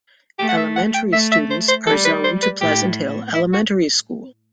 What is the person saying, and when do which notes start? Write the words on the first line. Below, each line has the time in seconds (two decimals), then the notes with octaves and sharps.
Elementary students are zoned to Pleasant Hill Elementary School.
0.39 A3 G4
0.49 F#5
0.57 E5
0.76 F#5
0.94 G5
1.13 A3 E5
1.32 E5
1.50 C5
1.68 C5
1.87 G3 A4
2.05 B4
2.24 C5
2.43 B4
2.61 A2 G4
3.34 E4
3.53 F#4